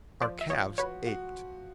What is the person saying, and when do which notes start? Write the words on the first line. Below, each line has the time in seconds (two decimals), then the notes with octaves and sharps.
Our calves ached.
0.22 F3 C5 D5
0.41 E5
0.50 F3 C#5 D#5
0.78 F#4 B4 C#5
1.07 F#4